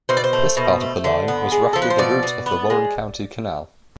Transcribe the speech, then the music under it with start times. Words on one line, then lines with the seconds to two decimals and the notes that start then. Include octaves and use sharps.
This part of the line was roughly the route of the Warren County Canal.
0.09 B2 C5
0.17 D5
0.24 C5
0.33 A3
0.57 B2
0.80 A3
1.04 D3
1.28 B3
1.52 G#3
1.73 F3 A4
1.82 B4
1.90 C5
1.98 B2 D5
2.23 B2
2.46 B3
2.70 G#3